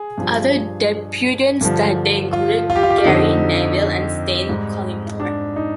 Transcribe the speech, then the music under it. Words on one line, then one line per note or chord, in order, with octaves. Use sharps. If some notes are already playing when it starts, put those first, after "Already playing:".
Other debutants that day included Gary Neville and Stan Collymore.
Already playing: G#4
G2 F3
G2 D3 F3
F4
F4
G4
F4
G4
F4
F2 D3 F3 D#4
G#2 G3
D4
D#4